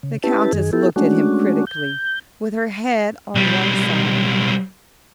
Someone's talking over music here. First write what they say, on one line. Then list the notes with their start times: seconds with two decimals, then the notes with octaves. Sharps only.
The Countess looked at him critically with her head on one side.
0.03 C#3
0.23 C#4 E4 G4 B4 A5
0.53 F#2 D#3 G#4
0.73 B3 E4 G4 A4
0.96 G#3 A3 C#4 D4 F#4
1.67 G6
3.35 B1 G3